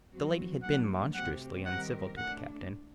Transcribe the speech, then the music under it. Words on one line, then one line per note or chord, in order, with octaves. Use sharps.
The lady had been monstrously uncivil to the Captain.
F#3 C4 F#4
G2 F#3 A#3 D4 F#5
C3 F#3 A3 C4 G4 F#5
D#3 G3 C4 G4 A#4 F#5
A2 A3 D4 F#5